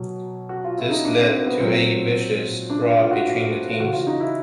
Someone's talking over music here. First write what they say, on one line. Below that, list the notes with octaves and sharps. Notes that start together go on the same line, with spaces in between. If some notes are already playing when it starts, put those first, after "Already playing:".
This led to a vicious brawl between the teams.
Already playing: B2 F#3
F#4
F4
E4
D#4
D4
C4
B3
A#2 F#3 C4
D4
E4
F4
F#4
C#3 E3 F#4
F4
D#4
E4